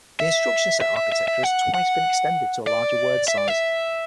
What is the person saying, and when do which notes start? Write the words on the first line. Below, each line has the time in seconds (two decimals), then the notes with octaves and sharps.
The instruction set architecture has twice been extended to a larger word size.
0.20 E5
0.81 E5
0.96 E5
1.12 E5
1.28 E5
1.43 F#5
1.74 F#5
2.67 D5
3.28 E5
3.38 D5
3.48 E5